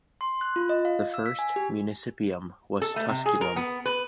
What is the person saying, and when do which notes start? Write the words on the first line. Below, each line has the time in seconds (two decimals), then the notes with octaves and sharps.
The first "municipium" was Tusculum.
0.21 C6
0.41 F#6
0.56 F4
0.69 D#5
0.85 F5
1.14 E6
1.26 B6
1.39 G#5
1.56 G4
2.82 A4
2.96 A3
3.08 C3
3.26 G#4
3.41 A#4
3.56 B3
3.86 B4